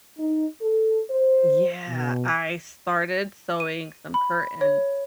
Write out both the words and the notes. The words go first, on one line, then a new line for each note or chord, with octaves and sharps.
Yeah, I started sewing some curtains,
D#4
A4
C5
B2
D#7
B5
C#5